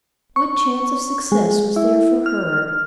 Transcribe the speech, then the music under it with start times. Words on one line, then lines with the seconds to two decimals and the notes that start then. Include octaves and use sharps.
What chance of success was there for her?
0.36 C#6
1.32 G#3
1.76 E4
2.26 F6